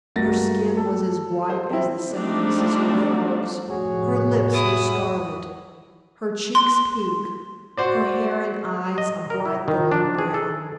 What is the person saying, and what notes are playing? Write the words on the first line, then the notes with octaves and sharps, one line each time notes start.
Her skin was as white as the San Francisco fogs, her lips were scarlet, her cheeks pink, her hair and eyes a bright golden brown.
G2 A3 A#3 F#4 A6 A#6
A4
C5
C4 E4
F3 G3 A3 C4 D4 D#4
F1 A2 F#4 G#4 C#5
E4 D#6
C6
F#4 C5 D5
D#5
A#4
E4
D#3
D4
G#4
A4